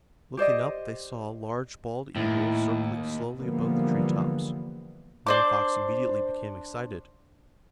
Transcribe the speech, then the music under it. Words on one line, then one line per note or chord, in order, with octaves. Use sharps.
Looking up they saw a large bald eagle circling slowly above the tree-tops. Running Fox immediately became excited.
G4 C5 D5 D#5
D#2 A2 E4
D3 E3 F3 G3 A#3 B3
D4 C5 D6